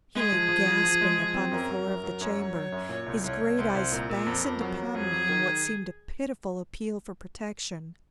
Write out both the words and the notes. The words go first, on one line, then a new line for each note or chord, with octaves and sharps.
He lay gasping upon the floor of the chamber, his great eyes fastened upon me in what seemed a pitiful appeal for protection.
G#3 G#4
F3
F3
F3
F3
G#3
F3
C4
F#2 A#4
F#3
F#2
F#3
F#2 C#5
F#3
F#3
F#2
A#2 C#5
C2
C2 C#5
C2
C2 C5
C2
A#2 A#4
A#2
F2
F2
F#3
F#3
F2 G#4
F#3
D#3